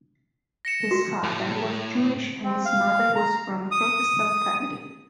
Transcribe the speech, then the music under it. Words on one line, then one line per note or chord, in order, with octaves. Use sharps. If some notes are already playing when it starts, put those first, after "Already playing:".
His father was Jewish and his mother was from a Protestant family.
A#6 C#7 E7
F#4
A2
C4
F5
A#5
D#6